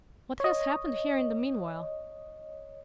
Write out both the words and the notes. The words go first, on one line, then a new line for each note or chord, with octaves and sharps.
"What has happened here in the meanwhile?"
C#5 D#5